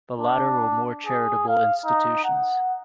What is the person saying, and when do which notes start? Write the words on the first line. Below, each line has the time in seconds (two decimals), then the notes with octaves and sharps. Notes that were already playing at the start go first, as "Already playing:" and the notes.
The latter were more charitable institutions.
0.20 D4
1.06 G#4
1.48 F5
1.85 D#4
2.24 F#5